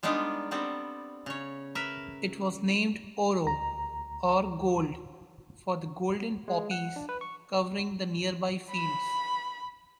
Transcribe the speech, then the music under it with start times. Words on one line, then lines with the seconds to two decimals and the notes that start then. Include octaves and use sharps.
It was named 'oro', or gold, for the golden poppies covering the nearby fields.
0.03 G3 G#3 B3 D4 D#4 F4
0.51 G3 B3 C4 D4 A4
1.26 C#3 C#5
1.75 A#4 B4 E5
3.44 D2 A#5
6.48 G#3
6.71 F#5
6.96 D4
7.09 B4
7.21 C#6
8.71 B5